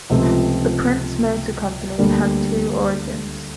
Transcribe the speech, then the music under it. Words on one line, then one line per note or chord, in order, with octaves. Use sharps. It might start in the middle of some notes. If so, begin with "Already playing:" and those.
The Prince Motor Company had two origins.
C#2 C3 F3 A3 C4
D2 D3 G3 A#3